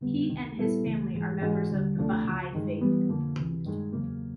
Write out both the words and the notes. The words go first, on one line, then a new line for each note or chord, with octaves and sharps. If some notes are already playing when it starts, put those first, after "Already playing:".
He and his family are members of the Baha'i Faith.
F2 D3 G3 B3
C#2 C3 D#3
A#2 G3 B3 E4 A4
C#2 C#3 E3 A3
G#2 E3 G#3
G#2 E3 G#3 C#4 F#4
D#2 D3 G3
D2 C3 F3 A3 D4
C#2 C#3 F3
G2 D#3 G#3
E3 G3 B3
F2 D3 F3 A#3
C#2 C3 E3
G2 D#3 G#3
E2 C#3 F#3 A#3